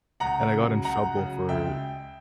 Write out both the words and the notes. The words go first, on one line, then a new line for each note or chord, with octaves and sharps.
And I got in trouble for
C#2 F#5 A#5
C#3 F#3
C#2 F#5 A#5
C#3 F#3
C#2 E5 G5